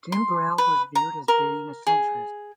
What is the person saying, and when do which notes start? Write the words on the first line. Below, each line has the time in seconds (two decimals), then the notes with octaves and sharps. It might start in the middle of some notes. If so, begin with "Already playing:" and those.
Timbrell was viewed as being a centrist.
0.12 C6
0.58 B4
0.95 A#5
1.28 A#4
1.87 G#4